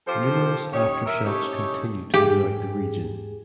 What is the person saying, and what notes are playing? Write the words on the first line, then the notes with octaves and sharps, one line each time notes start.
Numerous aftershocks continued throughout the region.
F3 G4 A4 C5
C#4 D#4 G4 C#5
A#4 E5
C#4 D#4 E4 G4 A4 C#5
G#2 G4 G#4